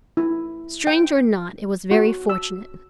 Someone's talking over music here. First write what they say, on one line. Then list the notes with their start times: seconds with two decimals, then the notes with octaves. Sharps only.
Strange or not, it was very fortunate.
0.17 E4
0.87 G5
1.91 F#4
2.30 E6